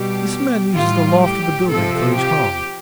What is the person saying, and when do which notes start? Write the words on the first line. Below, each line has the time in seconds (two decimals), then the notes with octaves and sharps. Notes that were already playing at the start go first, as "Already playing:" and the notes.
This man uses the loft of the building for his home.
Already playing: B2 G3 G4
0.76 A2 G3 F4
1.22 G4
1.68 C3 F3 A4
2.15 G4